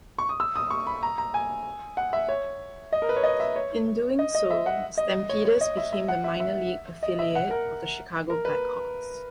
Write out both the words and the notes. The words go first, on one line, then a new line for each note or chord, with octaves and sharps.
In doing so, the Stampeders became the minor-league affiliate of the Chicago Black Hawks.
C#6
D#6
E6
D#6
C#6
B5
A#5
A#5
G#5
F#5
E5
C#5
D#5
A#4
B4
C#5
D#5
E5
C#5
D#5
D#5
E5
F#5
D#5
C#5
C#5
D#5
E5
E5
F#5
E5
E5
D#5
E5
F#5
A#4
A#4
B4